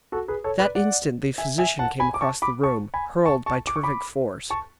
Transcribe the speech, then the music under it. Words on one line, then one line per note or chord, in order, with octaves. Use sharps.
That instant the physician came across the room, hurled by terrific force.
F#4 A4
G#4 B4
A4 C#5
B4 D5
D5 F#5
E5 G#5
E5 G#5
F#5 A5
G#5 B5
D6
A5 C#6
B5 D6
A5 C#6
G#5 B5
A5 C#6
A5 C#6
D6
C#6
B5 D6
A5 C#6